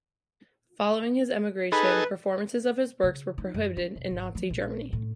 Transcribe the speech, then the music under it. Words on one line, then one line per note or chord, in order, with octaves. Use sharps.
Following his emigration, performances of his works were prohibited in Nazi Germany.
D#4 G#4 A4 B4
C#3
D#4
F#2
C#4
E1
G#1
F3
A#1
A2